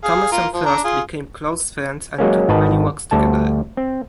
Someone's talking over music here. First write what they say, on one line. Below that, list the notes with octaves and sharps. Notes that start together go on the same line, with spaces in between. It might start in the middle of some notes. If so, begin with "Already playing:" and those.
Thomas and Frost became close friends and took many walks together.
G#4 F5
F4 A#4
F3
D4 A#5
F4 G#4
F#3 G#3 A#3 C#4
G#1 D#3 B4 D#5 A5
D2 G3 A4 A5
C4